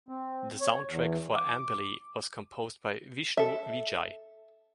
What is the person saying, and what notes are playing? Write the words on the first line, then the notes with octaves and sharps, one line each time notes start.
The soundtrack for Ambili was composed by Vishnu Vijay.
C4
C#5
E2
D6
A4 E5